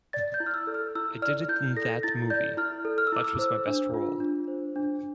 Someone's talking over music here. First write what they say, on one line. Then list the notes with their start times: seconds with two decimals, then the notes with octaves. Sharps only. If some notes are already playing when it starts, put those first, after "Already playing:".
I did it in that movie, that was my best role.
0.13 D5 A6
0.34 G6
0.40 E4
0.46 F6
0.54 E6
0.67 A4
0.74 F6
0.95 E4 E6
1.22 D5 F6
1.49 E4 G6
1.77 A4 A#6
2.03 E4 A6
2.30 D5 G6
2.57 E4 F6
2.85 A4
2.98 F6
3.07 E6
3.12 E4 D6
3.24 E6
3.39 C5 E6
3.66 D4
3.94 F4
4.20 D4
4.48 C5
4.76 D4